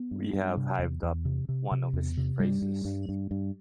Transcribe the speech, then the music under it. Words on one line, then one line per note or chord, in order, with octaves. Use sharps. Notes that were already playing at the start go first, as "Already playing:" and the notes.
We have hived up one of his phrases.
Already playing: B3
G2
G2
C3
E2
E2
C3
C3
C3
E2
C3
G2 G3
G2
G2
G2
G2